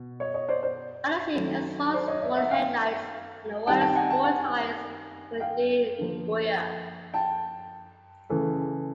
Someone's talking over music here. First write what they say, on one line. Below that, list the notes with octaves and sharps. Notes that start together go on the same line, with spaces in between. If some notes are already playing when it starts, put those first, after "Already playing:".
Under-seat exhausts, dual headlights and the widest sport tyres were de-rigueur.
Already playing: B2
C#5 D#5
C#5 D#5
C5 D5
C5 D5
D#3 F#3 A3
C5 D5
C#5 D#5
D5 E5
E5 F#5
F5 G5
D#3 G3 C4 G5 A5
G5 A5
F#5 G#5
G5 A5
F#5 G#5
F5 G5
D3 F3 A#3
G5 A5
C#3 E3 A3